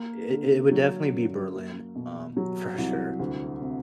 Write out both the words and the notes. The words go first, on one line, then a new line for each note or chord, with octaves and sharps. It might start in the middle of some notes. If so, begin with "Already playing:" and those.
It it would definitely be Berlin, um, for sure.
Already playing: A#3
D3
F#3
F#2
A#3
B2
F#3
C2
D2
C3